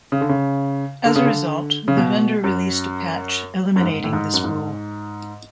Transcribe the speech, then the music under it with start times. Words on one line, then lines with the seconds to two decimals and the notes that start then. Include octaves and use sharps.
As a result, the vendor released a patch eliminating this rule.
0.12 C#3
0.21 D3
0.29 C#3
1.05 D3
1.16 C#3
1.25 D3
1.88 C#3
1.97 B2
2.44 F#2
3.76 F#2
3.82 G#2
4.04 A2
4.13 G#2
4.33 F#2
4.44 G#2